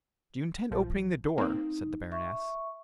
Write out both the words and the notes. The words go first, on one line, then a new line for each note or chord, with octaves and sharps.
"Do you intend opening the door?" said the baroness.
A#1 F3
A#3 C4 D#4
E5 C#6